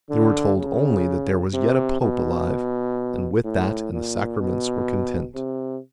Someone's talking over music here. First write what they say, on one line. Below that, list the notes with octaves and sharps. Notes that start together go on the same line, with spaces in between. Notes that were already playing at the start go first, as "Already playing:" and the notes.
They were told only that there was yet a Pope alive, and with that and the sacraments were content.
D3
C#3
C3
B2
A2
A#2
B2
C3